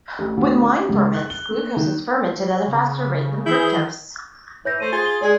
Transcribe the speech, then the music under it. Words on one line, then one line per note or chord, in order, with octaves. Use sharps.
When wine ferments, glucose is fermented at a faster rate than fructose.
A1
D2
C#4
C#2
F#6
G7
A#3
D#3
C#3
E3 E4 G#4 G6
E3 C#5 G6 A#6
A3 C5 D#7
F4 G#4
G7
G#3 G#4 C#5 D5 G#5